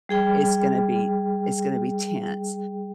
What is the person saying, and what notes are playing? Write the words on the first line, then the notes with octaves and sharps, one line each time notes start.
it's gonna be it's gonna be tense,
G3 G#4 G5